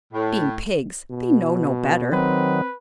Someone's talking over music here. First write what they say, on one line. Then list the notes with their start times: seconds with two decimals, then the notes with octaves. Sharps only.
Being pigs they know no better.
0.13 A2
1.10 B2
2.12 D#3 F#3 C4 B4